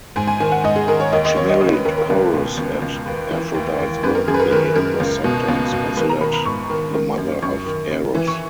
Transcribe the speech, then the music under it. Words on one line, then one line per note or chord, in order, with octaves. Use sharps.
She married Porus at Aphrodite's birthday and was sometimes considered the mother of Eros.
G#2 G#5
G#5
D#3 G#5
F#5
G#2 D#5
G#4
D#3 A#4
C#5
D#2 D#5
D#5
D#2 C#5
D#5
C#3 D#5
B4
D#2 A#4
A#4
C#2 B4
B2
C#2
C#2
D#2 B4
E3
D#2
D#2
F#2 B4
A#4
F#2 G#4
B4
A#4
D#3 B4
F#2 A#4
C#2
B2
C#2
B2
D#3 B4
A#5
D#3 B5
B5
G#2 C#6
D#3
D#3
F#2
F#2 C#6
D#3
C#3
E3
C#6